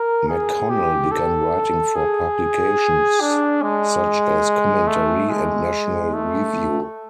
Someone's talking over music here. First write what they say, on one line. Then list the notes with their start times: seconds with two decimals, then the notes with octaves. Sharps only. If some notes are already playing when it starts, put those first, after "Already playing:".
McConnell began writing for publications such as "Commentary" and "National Review".
Already playing: A#4
0.28 G#4
0.70 G4
1.12 A4
1.96 G#4
3.21 D4
3.63 G#3
4.88 A3
5.30 G#3
6.14 A3